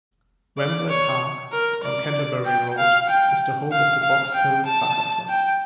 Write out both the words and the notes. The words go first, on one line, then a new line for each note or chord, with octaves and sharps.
Wembley Park, on Canterbury Road, is the home of the Box Hill Soccer Club.
D5
C#5
A#4
D5
G5
F5
G5
F5
F5
G5
A5
G5